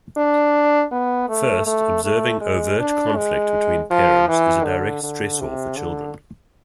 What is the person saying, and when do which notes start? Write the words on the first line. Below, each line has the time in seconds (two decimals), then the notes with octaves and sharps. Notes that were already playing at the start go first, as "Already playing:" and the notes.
First, observing overt conflict between parents is a direct stressor for children.
0.17 D4
0.91 B3
1.29 A3
1.67 A3
2.04 A3
2.41 G#3
2.79 D4
3.16 G#3
3.91 F3
4.28 E3
4.65 D3
5.03 D3
5.41 C3
5.77 D3